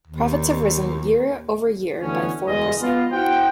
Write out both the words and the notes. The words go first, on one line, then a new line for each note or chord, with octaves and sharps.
Profits have risen year over year by four percent.
D#2
D2 E3 A3 B3 C#4
F#1 E2 G#3 D#5
B3 F4
E4 F#4 C5 F#5 G5